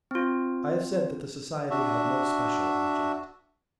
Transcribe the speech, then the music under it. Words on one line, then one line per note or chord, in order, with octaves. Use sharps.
I have said that the society had no special object.
C4 F4
D4 F#4 E5